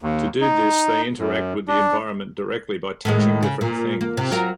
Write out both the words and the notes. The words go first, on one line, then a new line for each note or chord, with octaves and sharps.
To do this, they interact with the environment directly by touching different things.
D#2
D#4
F#2
D4
A2 D#3 G#3
C#3
A#2
A#3
C3
F#3 F4 A#4